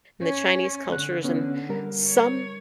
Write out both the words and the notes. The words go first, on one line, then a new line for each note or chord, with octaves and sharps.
and the Chinese cultures and some,
C#4 C#5
D3 F#6
B3 C#4
G3 A#4
C#5